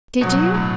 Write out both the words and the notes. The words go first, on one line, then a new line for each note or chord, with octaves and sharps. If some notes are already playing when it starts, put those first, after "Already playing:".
Did you?
B2 F#3
A2